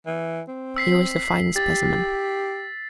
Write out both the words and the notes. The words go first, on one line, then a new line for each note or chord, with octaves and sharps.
He was a fine specimen.
E3
C4
E6 B6 C7
G4 A6